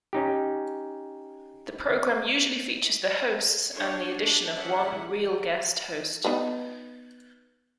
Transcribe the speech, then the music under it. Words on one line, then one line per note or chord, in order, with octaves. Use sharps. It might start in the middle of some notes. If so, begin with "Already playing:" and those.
The program usually features the hosts and the addition of one "real" guest host.
C#4 D#4 G4
D4 C#5
D4
C#4 D4 G#4 E5 F#5
B3 D#4 B4